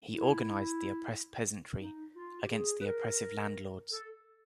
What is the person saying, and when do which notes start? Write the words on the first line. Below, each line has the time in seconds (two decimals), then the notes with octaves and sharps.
He organised the oppressed peasantry against the oppressive landlords.
0.13 E4
1.79 D#4
2.14 F4
2.41 G4
2.50 G#4
2.80 B4
2.85 A#4
3.92 A4